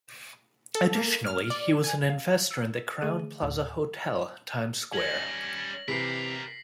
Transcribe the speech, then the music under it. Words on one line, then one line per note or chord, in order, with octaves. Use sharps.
Additionally, he was an investor in the Crowne Plaza Hotel, Times Square.
A4
A#3
F6
D5
G#5
F5
E6
D3 A3 G#4 D#7
D2 A2
G3 C#4 A#6 F#7
C3 E3 G4 A#4 B4 B6 C7